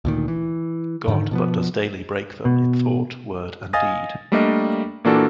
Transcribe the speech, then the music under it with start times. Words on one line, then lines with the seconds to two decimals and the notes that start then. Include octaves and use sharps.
God, but does daily break them in thought, word, and deed.
0.05 D2 A#2 D#3
0.28 E3
1.08 G#2 D3 D#3
1.31 B2 F3 B3
2.45 B2
3.73 D#5 F5 G#5 D#6 A6 A#6
4.32 G3 A3 A#3 D4 A#4 D#5
5.04 A#2 E3 A#3 D4 F#4 A4